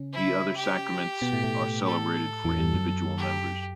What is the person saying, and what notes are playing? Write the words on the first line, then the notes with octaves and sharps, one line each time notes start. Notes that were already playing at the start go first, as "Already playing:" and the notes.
The other sacraments are celebrated for individual members.
Already playing: C#3 C#4
E4
G4
B2 B3
A2 A3
A2 A3
A4
E2 E3
G2 G3
F#2 F#3
G4